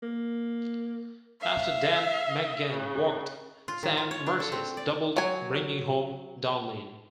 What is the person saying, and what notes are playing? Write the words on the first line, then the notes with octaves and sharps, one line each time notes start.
After Dan McGann walked, Sam Mertes doubled, bringing home Donlin.
A#3
E5 F5
C#3
F4
D#3
F4
C#5
D4
A4
C4
D5
F#3 G#5